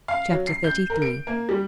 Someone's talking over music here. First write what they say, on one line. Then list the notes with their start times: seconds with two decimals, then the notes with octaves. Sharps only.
Chapter XXXIII.
0.08 F5
0.30 F#3
0.47 C7
0.64 G6
0.90 A#4
1.02 D7
1.27 A#3
1.49 G3